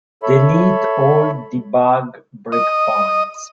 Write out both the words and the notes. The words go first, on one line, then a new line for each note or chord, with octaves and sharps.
Delete all debug breakpoints.
A4 C#5 E5 B5
D#5